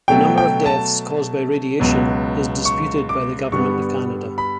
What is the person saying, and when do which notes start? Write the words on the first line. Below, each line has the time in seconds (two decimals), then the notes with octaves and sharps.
The number of deaths caused by radiation is disputed by the Government of Canada.
0.08 B2 F#3 A3 G5
0.38 G5
0.66 A5
1.80 C#2 B2 F#3 B3
2.65 C#6
3.09 D6
3.52 G2 D3 G3 B3 C#6
4.38 B5